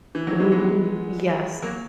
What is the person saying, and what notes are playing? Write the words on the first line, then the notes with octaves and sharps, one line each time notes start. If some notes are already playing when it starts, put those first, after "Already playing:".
Ooh, yes.
E3
D#3 F#3
E3 G#3
G#3 B3
F#3 A#3